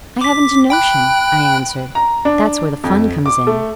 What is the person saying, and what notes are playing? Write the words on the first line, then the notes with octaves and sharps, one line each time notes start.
'I haven't a notion,' I answered; 'that's where the fun comes in.
D6 B6
G5 B5 F#6
A#5
D4
F2
D6
A3